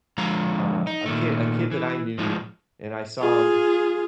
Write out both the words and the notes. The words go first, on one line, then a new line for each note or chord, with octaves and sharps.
uh, a ki a kid that I knew, and I saw him
D3 F3 G#3 F5 A#5
D#4
A#2 D#3 A3
E3
A2 F3 G#3
F4 G#4